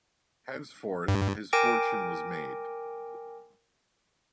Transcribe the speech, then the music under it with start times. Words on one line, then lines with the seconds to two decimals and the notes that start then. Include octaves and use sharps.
Henceforth, his fortune was made.
1.08 G2
1.53 A#4 G5 G#5 D6 A#6 D7